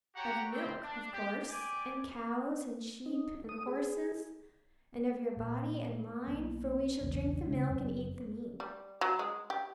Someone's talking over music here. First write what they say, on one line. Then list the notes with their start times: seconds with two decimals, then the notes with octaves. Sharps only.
Of milk of course, and cows, and sheep, and horses; and of your body and mine--for we shall drink the milk and eat the meat.
0.16 F#4 G4 C#5 F#5 G5 A#5
0.51 G3 C4 G5
0.83 D4
1.13 G4
1.48 G4 D5 G#5 D6
3.06 D#4
3.49 D#6
3.67 G#4
5.37 A#2
6.28 B1 A#3 B3
7.01 F#1 B1 E2
7.46 C#3 G#3
7.69 F#1 F#2 F#3
8.60 G3
9.01 F#3
9.19 G#3
9.50 G4